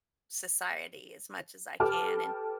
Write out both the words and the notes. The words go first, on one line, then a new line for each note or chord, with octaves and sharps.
society as much as I can, and
G4 A4 B4 A5 D6 F6